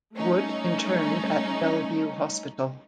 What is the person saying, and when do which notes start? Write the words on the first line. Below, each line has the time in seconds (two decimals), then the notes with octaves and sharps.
Wood interned at Bellevue Hospital.
0.15 G3 A3 C#4 D#4